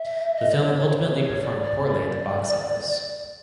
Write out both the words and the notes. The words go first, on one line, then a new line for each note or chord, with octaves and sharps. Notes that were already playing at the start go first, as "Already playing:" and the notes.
The film ultimately performed poorly at the box office.
Already playing: E5
D#5
D5
C#5
C#5
C5
C#5
C#5
D5
D5